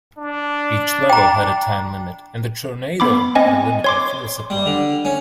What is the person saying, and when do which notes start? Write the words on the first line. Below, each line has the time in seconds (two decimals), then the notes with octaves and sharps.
Each level had a time limit, and the Tornado had a limited fuel supply.
0.18 D4
1.09 G5 A#5
3.00 B3 B5 D6
3.35 C4 D#5 G#5
3.84 C#5 C6 D6
4.50 G3
4.66 D3
5.05 C#4